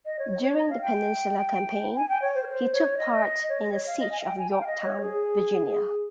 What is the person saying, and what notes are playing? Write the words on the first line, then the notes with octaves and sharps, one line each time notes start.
During the Peninsula Campaign, he took part in the siege of Yorktown, Virginia.
D#5
C#5
C#5
C#5
D#5
F5
G5
G#5
G5
C#5
C5
A#4
C5
C#5
D#5
C#5
D#5
C#5
F5
D#5
G#5
F5
G5
G#5
G5
F5
D#5
C#5
G#4